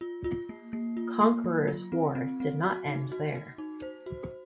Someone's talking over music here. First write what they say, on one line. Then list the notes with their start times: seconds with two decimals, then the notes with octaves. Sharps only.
"Conqueror"s war did not end there.
0.01 F4
0.24 F4
0.49 A#3
0.73 A#3
0.97 F4
1.20 A#3
1.44 F#3
1.68 F4
1.92 C4
2.15 C4
2.40 C4
2.63 F#4
2.88 D#4
3.12 F#4
3.35 F#4
3.58 D#4
3.82 C5
4.06 F#4